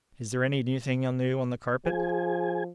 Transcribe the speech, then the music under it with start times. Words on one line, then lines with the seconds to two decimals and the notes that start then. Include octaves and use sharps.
"Is there any thing new on the carpet?"
1.86 F3 G#4 G#5